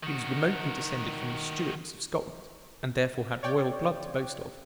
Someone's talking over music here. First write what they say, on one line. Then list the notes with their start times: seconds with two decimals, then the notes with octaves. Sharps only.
He was remotely descended from the Stuarts of Scotland, and therefore had royal blood to boast of.
0.03 D#3 F#4
3.43 C#5 D5 G5